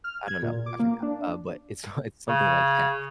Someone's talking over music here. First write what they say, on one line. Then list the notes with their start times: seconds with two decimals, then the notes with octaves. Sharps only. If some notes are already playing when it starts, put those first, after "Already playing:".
I don't know, I forgot, uh, but it's it's something like that.
0.04 F6
0.28 G#6
0.43 A#2
0.66 D6
0.79 A#3
1.03 D4
2.28 C#3